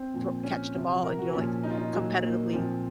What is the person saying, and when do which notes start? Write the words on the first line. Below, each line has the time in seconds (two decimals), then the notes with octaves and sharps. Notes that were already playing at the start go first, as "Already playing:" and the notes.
thr catch the ball, and you're, like, competitively
Already playing: C4
0.14 A#2 F3
0.43 C#4
0.74 C3 F3
1.03 A#4
1.19 F#4
1.33 A#2 F3 C#4
1.63 D#4
1.70 F4
1.77 D#4
1.93 A#2 F#3
2.23 A#3
2.53 A#2 F3 C4